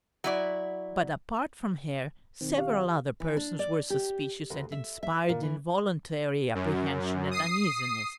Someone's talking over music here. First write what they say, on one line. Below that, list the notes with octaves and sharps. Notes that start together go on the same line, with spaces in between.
But apart from her, several other persons were suspicious and inspired involuntary apprehension and uneasiness.
F#3 E4 D5
B1 D#3 C4
G4 C5 F5
E3
D4
D5
G4
D2
E5
E5
A#2
E3
F#2
D#6 C7